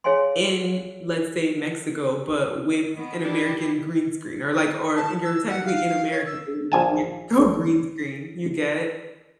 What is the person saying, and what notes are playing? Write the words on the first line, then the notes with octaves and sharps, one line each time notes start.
in, let's say, Mexico, but with an American green screen, or, like, or you're technically in America, like, a Mexico green screen, you get?
G#4 C#5 F5 G#5 C6
D#3 B3
D4 E4 G4
A5
E6
F#5
F5
C#5
E6
A#1 G#5 A5